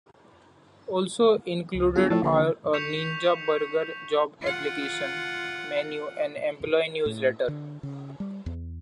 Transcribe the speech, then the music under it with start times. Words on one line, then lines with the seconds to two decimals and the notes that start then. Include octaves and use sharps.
Also included are a Ninja Burger job application, menu and employee newsletter.
1.75 C#2
1.96 G1 F4 G#4
2.10 A2 F3 E6 A6
2.23 A#1 D3
2.73 C#6 G6 B6 C#7 E7 F7
4.42 F4 F#5
7.06 A2
7.48 D3
7.83 C#3
8.20 G3
8.46 E2